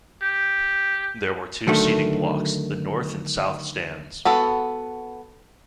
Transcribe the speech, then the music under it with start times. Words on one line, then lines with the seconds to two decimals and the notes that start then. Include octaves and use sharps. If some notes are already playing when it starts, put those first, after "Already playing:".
There were two seating blocks, the North and South Stands.
0.23 G4
1.67 D3 D#3 F#3 A3
4.25 B3 F#4 A4